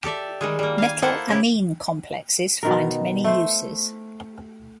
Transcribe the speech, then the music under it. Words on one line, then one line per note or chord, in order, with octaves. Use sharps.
Metal ammine complexes find many uses.
G4 A4 D5 E5
D#3 G3 G#3
G3 A#3
F5 G#5
A#3 E4 A4 C5 F#5
C#3 E4 G4
B2 D#3 A#4
A3 C5